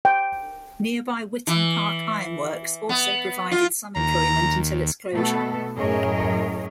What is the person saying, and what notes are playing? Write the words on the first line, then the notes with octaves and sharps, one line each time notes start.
Nearby Witton Park Ironworks also provided some employment until its closure.
G5
E3
B3
F4
D#2 A#5
B2 A3 B3 A4
F#2 A2 G#4 A#4 C#5 D#5